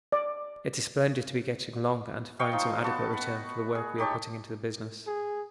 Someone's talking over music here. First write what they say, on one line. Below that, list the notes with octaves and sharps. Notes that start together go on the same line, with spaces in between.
It is splendid to be getting along and to find some adequate return for the work we are putting into the business.
D5
D#5 F5 G5 C#6
F3 D#4
B3 F#4 A5
B4 F#5
G#4
D#4 G4 C#5 A5
G#4